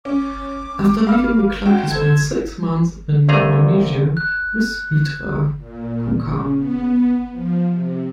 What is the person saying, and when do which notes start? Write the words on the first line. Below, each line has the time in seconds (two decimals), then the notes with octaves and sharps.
After leaving the club he spent six months in Indonesia with Mitra Kukar.
0.05 C#4 D6
1.07 F5 B5 F6
1.66 G#1 F#4 G5
1.91 A4 C5 G#6
3.29 C2 G2 C3 A3 G#4 A#5
4.17 F#6
5.57 A#2
6.23 C#3
6.57 B3
7.31 F3
7.69 C3